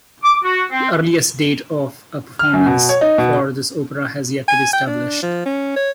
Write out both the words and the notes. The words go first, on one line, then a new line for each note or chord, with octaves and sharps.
The earliest date of a performance for this opera has yet to be established.
D6
F#4
C4
F6
F#2
B2
C#5
D#4
B2
G#5
G5
D4
F3
C#4
C#5